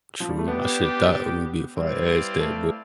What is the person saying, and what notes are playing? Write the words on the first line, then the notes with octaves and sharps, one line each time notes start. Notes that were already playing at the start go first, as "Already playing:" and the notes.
True. I should've thought it would be if I asked that, but,
F3
G3
A3
G3 B3 D4 G4
G3 C4 E4 B4 D5 F5
A3